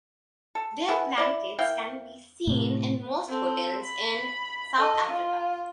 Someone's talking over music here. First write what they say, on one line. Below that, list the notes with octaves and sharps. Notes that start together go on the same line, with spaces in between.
Their blankets can be seen in most hotels in South Africa.
A4
B3 E4 G#4
E4 D5
A#3 E4 F5 G5
A2 C3
C4 A4
B5
A4 D#5
F4